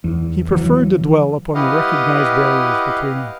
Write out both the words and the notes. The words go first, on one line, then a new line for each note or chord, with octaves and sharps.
He preferred to dwell upon the recognized barriers between them.
E2
E3 F#3
E4 G4 B4 D#5 F5 F#5